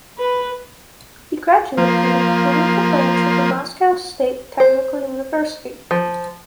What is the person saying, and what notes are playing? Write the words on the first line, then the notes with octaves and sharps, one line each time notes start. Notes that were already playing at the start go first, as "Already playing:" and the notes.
He graduated from the Kaluga branch of the Moscow State Technical University.
B4
F3 A#3
C5
F3